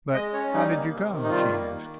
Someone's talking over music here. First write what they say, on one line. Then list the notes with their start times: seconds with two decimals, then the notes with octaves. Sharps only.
"But how did you come?" she asked.
0.14 G#3 D#5
0.33 C#4 C#5
0.53 G3 D#4
0.72 A#3
0.91 C3
1.11 D#3
1.23 D#4
1.30 G3 F4
1.50 A#3
1.69 D#3